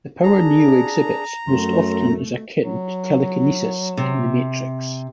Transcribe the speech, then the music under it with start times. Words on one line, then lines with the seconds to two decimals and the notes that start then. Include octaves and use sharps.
The power Neo exhibits most often is akin to telekinesis in the Matrix.
0.23 D4 G#4 A#5
1.48 F#2 F#3 A3 C6
2.62 F#3
3.97 C3